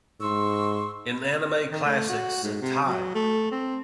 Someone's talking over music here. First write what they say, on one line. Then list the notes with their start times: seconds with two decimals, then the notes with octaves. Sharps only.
In Anime Classics Zettai!
0.20 G#2 C6 C#6 E6
1.71 D#3
1.86 A3
2.09 F#4
2.44 G#2
2.62 C3
2.87 F#3
3.15 A3
3.51 C4